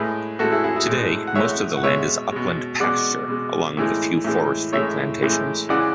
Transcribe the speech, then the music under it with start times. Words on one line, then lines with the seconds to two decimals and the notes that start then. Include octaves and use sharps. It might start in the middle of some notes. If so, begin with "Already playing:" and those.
Today most of the land is upland pasture, along with a few forestry plantations.
Already playing: A2 G#3 G#4 B4
0.39 A2 G#3 F#4 A4
0.52 E4 G#4
0.64 E4 G#4
0.76 E4 G#4
0.87 A2 G#3
1.27 F#5
1.35 A2 G#3 C#5 E5
1.77 F#5
1.84 B2 G#3 C#5 E5
2.32 B2 G#3
2.80 B2 G#3 D5 F#5
3.28 B2 G#3
3.77 A2 E3 G#3
4.25 A2 E3 G#3
4.73 A2 E3 G#3 C#5 E5
5.22 A2 E3 G#3
5.69 C#3 E3 G#3 D5 F#5